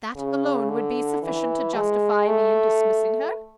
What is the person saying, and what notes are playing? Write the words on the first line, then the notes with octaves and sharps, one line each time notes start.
That alone would be sufficient to justify me in dismissing her.
C#3
D3
E3
G#3
A3